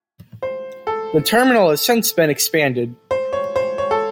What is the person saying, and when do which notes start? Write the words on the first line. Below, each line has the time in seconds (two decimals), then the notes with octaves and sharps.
The terminal has since been expanded.
0.42 C5
0.87 A4
3.11 C5
3.33 C#5
3.56 C5
3.78 C#5
3.91 A4